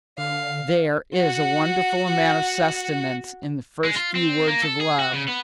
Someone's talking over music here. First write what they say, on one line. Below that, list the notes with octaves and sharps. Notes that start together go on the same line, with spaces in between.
There is a wonderful amount of sustenance in the first few words of love.
D3 F5
F#4 F#5
G#3
F4
C4
A#3
A4
G#4
F#4
C#3
B3